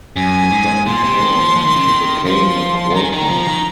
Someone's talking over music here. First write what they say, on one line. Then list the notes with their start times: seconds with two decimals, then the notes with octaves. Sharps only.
After retirement he became a Quaker.
0.16 F#2 G#5
0.52 G#2
0.86 A#2 C6
1.04 C3
1.21 D#3
1.39 F3
1.56 F3
1.65 D#3
1.76 C#3
1.85 D#3
2.26 F3 C6
2.91 F3
2.95 D#3 A#5
3.03 G#5
3.11 D#3 A#5
3.30 F3
3.48 D#3